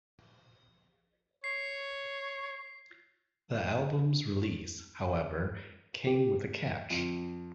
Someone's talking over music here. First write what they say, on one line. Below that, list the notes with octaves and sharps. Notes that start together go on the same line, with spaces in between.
The album's release, however, came with a catch.
C#5 C7
G4
F2